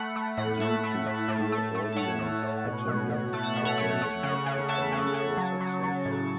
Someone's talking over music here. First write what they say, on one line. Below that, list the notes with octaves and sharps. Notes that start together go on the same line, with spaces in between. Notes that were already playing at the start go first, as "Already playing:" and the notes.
Due to poor audience attendance, the film was not a financial success.
Already playing: A3 F#5 B5
A3
A2 F#5 B5
A2 E5 A5
A3
A2
A2
A3
A3
A5
A3 C#5 F#5
A2
A2
B2
B2
B2
A3 A5
F#5
B2 E5
C#5 F#5
A3
A3
C#3
C#3
C#3 E5 A5
C#3
A5 C#6
C#3
F#3
F#3
F#3
A2